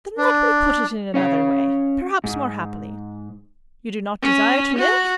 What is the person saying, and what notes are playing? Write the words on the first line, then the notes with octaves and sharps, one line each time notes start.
"Then let me put it in another way--perhaps more happily: You do not desire to live?"
D4
C#4 C#5 F5
G#2
C#4
F#4